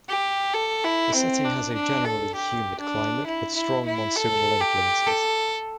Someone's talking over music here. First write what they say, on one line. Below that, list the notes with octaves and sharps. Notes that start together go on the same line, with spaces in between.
The city has a generally humid climate with strong monsoonal influences.
G4
A4
E4
C4
D4
D4
A4
G4
D4
E4
E4
E4
A4
G4
A4